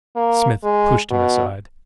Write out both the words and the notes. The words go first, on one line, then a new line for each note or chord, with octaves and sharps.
Smith pushed him aside.
A#3
G#3
B2